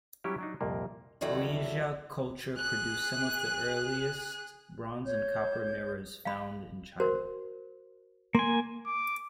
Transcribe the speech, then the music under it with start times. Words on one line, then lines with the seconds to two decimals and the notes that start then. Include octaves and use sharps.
Qijia culture produced some of the earliest bronze and copper mirrors found in China.
0.24 F#3 G3 C#4 D4 E4 G4
0.38 F#3 D4 D#4
0.61 C2 F2 A#2 A#3
1.21 E2 D#3 F#3 G3 E4 A4
2.57 G#4 F#6
5.05 C#5 G6
6.25 F5 B5
7.00 F#4 A#4 C5
8.35 A#3 G#5 C6
8.86 D6